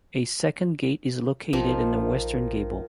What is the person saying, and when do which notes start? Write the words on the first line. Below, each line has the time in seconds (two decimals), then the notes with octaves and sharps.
A second gate is located in the western gable.
1.53 A#1 D#3 F3